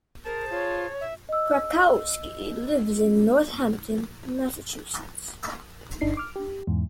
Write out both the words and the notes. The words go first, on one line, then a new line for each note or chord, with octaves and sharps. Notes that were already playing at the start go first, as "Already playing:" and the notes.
Krakowski lives in Northampton, Massachusetts.
G#4 A#4 C5 A5
F4 C#5
E5
D#5 E6
G1 D4 D#4 C7
D6 F6
G4
E2 G#2